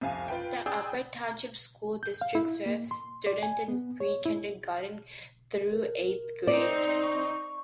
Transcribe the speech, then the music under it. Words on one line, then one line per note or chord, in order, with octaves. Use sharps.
The Upper Township School District serves students in pre-kindergarten through eighth grade.
C2 F2 F5 G#5
F4 B4 G5
G#4 D5 G5 E6 G6
G6
F5
E4
A#3
C6
D5
G#5
B3
C#5
E4
A#4
C4 D#4 D5
C#6